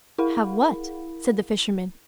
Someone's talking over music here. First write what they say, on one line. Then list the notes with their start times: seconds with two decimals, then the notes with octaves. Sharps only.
"Have what?" said the fisherman.
0.18 E4 G#4 A#4 F5 F#5 B5